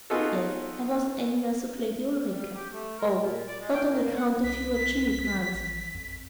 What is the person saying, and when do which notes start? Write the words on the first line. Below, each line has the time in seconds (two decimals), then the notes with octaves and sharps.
Yes--I was envious of Lady Ulrica...Oh, not on account of you or Jimmy Brance!
0.10 B3 D#4 F4 F#4 G#4 A4
2.27 G3
2.55 G4
2.71 A3
2.99 A#4
3.18 A#2
3.47 D5
3.60 G#3
3.74 G5
3.90 D#3
4.02 A#3
4.16 F#5
4.43 C2 B6
5.38 F3
5.54 A1
5.94 F2